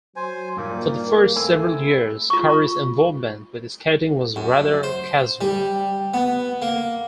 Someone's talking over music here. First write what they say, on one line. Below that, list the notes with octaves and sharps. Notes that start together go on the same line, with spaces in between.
For the first several years, Curry's involvement with skating was rather casual.
F#3 C5 G#5
G2 A#2 D#3 G3 A#3
A#4
A3 C4 E4 G#5
F4 C#6
F#2
C5
G3
B3
A#3